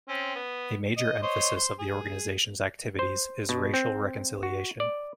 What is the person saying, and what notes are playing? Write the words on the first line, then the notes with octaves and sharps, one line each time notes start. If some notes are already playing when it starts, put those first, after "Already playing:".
A major emphasis of the organization's activities is racial reconciliation.
C4 C#4
B3
D#5
C5 C#5 D#5
C5
G#4
C5
B2
C4
F#4
D5